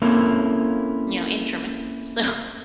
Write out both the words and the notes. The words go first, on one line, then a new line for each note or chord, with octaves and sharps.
you know, in German. So,
A#3 C4 C#4 E4 A4 A#4